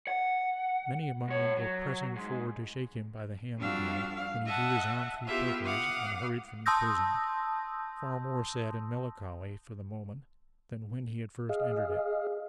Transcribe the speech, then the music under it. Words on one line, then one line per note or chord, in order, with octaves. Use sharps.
Many among them were pressing forward to shake him by the hand again, when he drew his arm through Perker's, and hurried from the prison, far more sad and melancholy, for the moment, than when he had first entered it.
F#5
G#2 C#5
F#3
G#2
F2 G3 D4 F#4 F5 E6
F5
D#5 E5 F#5 A5
B3 E4 F4 G4 E5 F5
F5 F#5 D6 D#6 F6
A5 C6 D#6 E6 G6 A#6
G#4 D#5 F5